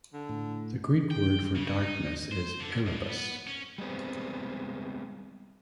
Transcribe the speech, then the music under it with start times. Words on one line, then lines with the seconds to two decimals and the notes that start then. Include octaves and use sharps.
The Greek word for "darkness" is "erebus".
0.14 D3
0.29 A2
1.11 G5
1.55 C#3
1.82 D#4
2.32 C5
2.60 D3
2.86 G2
3.09 B3
3.47 C#4
3.78 G3 G#3 B3 C4